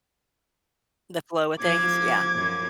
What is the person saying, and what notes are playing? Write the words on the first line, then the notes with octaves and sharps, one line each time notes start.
The flow of things, yeah.
F3 D6 G#6
F#2 F3